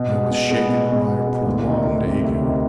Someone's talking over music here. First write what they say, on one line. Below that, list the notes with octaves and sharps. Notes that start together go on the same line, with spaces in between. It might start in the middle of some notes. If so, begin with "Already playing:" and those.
Then it was shaken by a prolonged ague.
Already playing: B2
G#3 B3
B2
G#3 B3
B2
G#3 B3
B2
G#3 B3
D2
C3 D#3
D2
C3 D#3
D2
C3 D#3